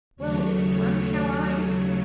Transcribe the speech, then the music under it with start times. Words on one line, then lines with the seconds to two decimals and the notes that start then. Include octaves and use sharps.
'Well, little one, how are you?
0.16 D#2 C#3 F#3 A3 C#5